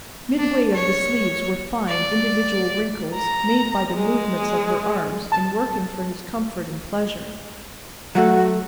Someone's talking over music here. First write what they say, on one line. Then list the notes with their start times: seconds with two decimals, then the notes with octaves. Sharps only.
Midway of the sleeves were fine, individual wrinkles made by the movements of her arms in working for his comfort and pleasure.
0.38 D4
0.74 C#5
1.88 D5
3.15 A#5
3.95 G#3 G#4
5.32 A5
8.15 F#3 A3 F#4